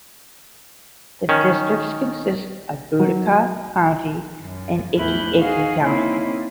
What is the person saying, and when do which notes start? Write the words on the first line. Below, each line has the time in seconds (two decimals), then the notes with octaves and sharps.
The district consists of Budaka County and Iki-Iki County.
1.29 D#3 C#4
3.00 F#3
4.42 F#2
4.95 E2 A2 E3 E4 F#6 G6
5.37 D#4 F#4 G#4 F5
5.81 A#3 C4 C#4 D#4 E4